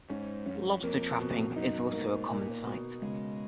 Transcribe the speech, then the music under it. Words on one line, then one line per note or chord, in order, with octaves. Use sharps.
Lobster trapping is also a common sight.
G#2 C#4
F#2 C#4
G#2
F#2
F2 A#3
B2
F2
F#2 D#4
G#2 A#3
A#2 A#3
B2
C#3 G#3